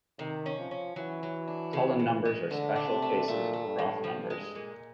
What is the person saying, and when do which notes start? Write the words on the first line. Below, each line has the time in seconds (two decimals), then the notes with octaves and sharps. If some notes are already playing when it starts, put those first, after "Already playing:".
Cullen numbers are special cases of Proth numbers.
0.19 C3 D#3
0.46 C#4
0.59 F3
0.71 C#4
0.96 E3 F#3
1.23 F#3
1.48 D4
1.73 C#3
1.99 C#3
2.25 G#3
2.50 D3 A3
2.76 D4
2.88 C3
3.02 A3
3.28 A#2 A3
3.53 A3
3.66 G2
3.79 A2
4.04 F3
4.30 G#3
4.55 A#2